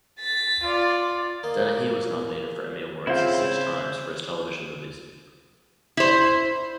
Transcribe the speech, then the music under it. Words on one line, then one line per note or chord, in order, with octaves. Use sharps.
Dennehy was nominated for Emmy Awards six times for his television movies.
A6 B6
F4 D5
A#3 D#5
C#3 C4 E4 F4 C5 E5
E4 C5